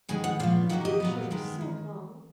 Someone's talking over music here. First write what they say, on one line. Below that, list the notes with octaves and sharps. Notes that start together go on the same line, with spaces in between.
The future is so long.
D#3 G#3 B3 G#5
F#5
A#2 F3 B3 F5
D#3 F#3 A#3 F#5
D#5
A#2 F#3 B3
D#3 G#3 B3
D#3